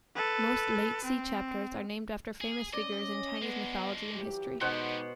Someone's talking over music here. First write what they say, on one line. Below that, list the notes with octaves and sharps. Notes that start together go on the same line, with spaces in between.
Most "Liezi" chapters are named after famous figures in Chinese mythology and history.
A4 B4
C4
G#4
C#4 D5 D#5
G#3 B3 D4
E3 F#3 G4
B2 G#3 B3 D#4 G4 C5 F#5